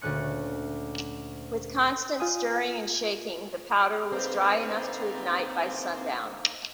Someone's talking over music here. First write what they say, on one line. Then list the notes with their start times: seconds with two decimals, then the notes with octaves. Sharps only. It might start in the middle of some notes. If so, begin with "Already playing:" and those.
With constant stirring and shaking the powder was dry enough to ignite by sundown.
0.01 D2 A#2 A3 C#4 F#6 C#7
2.20 F4 G#5 D#6
4.12 D3 A#3 C4 D#4 A4 B4 C5 A#5